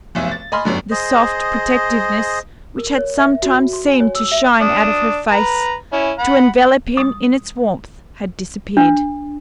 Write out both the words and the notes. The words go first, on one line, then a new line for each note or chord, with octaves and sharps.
The soft protectiveness which had sometimes seemed to shine out of her face, to envelop him in its warmth, had disappeared.
F1 B1 E5 G#5
A6
D#5 G#5 B5 C6 F6
G1 F#2 D3
G#4 C5 D#5
A#4
C#5
E5
F#4
C6
G#5
C#5
E6
E5
D4 D#6
B4 A#5
C#4 E4
F#5 B5
D#6
D4